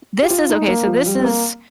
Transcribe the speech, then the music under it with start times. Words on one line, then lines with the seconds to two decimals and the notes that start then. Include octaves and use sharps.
this is okay, so, this is
0.23 G4
0.30 F4
0.49 D#4
0.68 A#3
0.87 F3
1.06 G3
1.20 C4
1.24 A#3